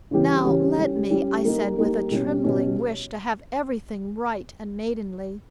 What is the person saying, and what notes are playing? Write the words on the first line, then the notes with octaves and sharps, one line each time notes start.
"Now let me," I said, with a trembling wish to have every thing right and maidenly.
C#3 E3 G3 C#4 G4
C#3 E3 G3 C#4 G4
G3 C#4 G4
G3 C#4 G4
G3 A#3 D#4
G3 A#3 D#4
B2 G3 C#4
B2 G3 C#4